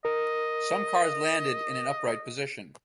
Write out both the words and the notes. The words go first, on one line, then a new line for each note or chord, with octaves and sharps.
Some cars landed in an upright position.
A#4 D#5